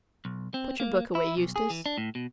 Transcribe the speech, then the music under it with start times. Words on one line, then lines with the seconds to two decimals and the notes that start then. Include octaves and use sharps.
Put your book away, Eustace.
0.25 B1
0.54 C4
0.80 A#3
1.15 E4
1.37 B1
1.56 G#4
1.70 E3
1.86 D4
1.98 A2
2.15 B2